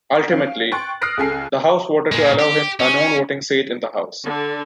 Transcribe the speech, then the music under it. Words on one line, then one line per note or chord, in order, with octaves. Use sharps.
Ultimately, the House voted to allow him a non-voting seat in the House.
C#4 F5 D7
G5 C6 C#6 F#6 A6
D#6 F6 F#6 A#6 C7 D7
C#2 C#3 A4 G#5 C7
A#2 G#3
G4
C#4
D3